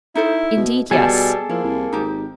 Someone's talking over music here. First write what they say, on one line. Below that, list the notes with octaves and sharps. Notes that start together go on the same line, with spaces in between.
'Indeed, yes.
D#4 E4 A4 C5
B2
B2 G3 G#4 A4 E5 G#5 A5
F3 A#3 E4
C2
G#1 D#4 G4